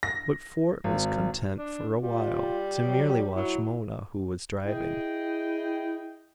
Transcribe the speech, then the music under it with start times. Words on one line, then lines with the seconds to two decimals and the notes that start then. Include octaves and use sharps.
But Fort was content for a while to merely watch Mona, who was driving.
0.03 A#6
0.84 G#1
1.56 D4
2.02 G3 F4
2.86 F#3
3.35 F#3 E4
4.67 E4 G#4 D#5 G5